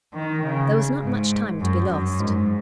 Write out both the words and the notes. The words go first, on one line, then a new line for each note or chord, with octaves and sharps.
There was not much time to be lost.
D#3
C#3
G#2
F#2
F#2
G#2